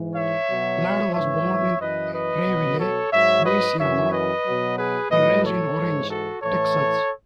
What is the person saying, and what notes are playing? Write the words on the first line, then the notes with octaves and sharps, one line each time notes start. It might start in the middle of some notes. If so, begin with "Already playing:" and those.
Ladd was born in Rayville, Louisiana and raised in Orange, Texas.
Already playing: G#2 E3
C#5 E5
B2 F#3
G#2 E3 C#5 E5
F#2 E3 B4 D#5
B4 D#5
B2 F#3
A4 C#5
G#2 F#3 C#5 E5
B4 D#5
F#2 E3 C#5 E5
B4 D#5
B2 F#3
G#4 B4
A2 F#3 B4 D#5
A4 C#5
G#2 E3
F#4 A4
A2 E3 A4 C#5